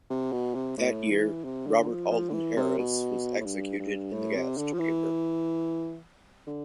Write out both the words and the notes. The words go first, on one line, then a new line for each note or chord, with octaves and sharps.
That year, Robert Alton Harris was executed in the gas chamber.
C3
B2
C3
A2
E3
C3
D3
F3
F3
D3
E3
C3
B2
A2
G2
G2
A2
C3
D3
F3
E3
D3